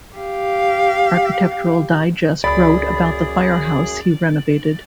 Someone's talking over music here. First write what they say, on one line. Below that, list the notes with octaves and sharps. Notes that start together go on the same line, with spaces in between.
Architectural Digest wrote about the firehouse he renovated.
G4 F5
C#2 F#2 G#4 D5 B5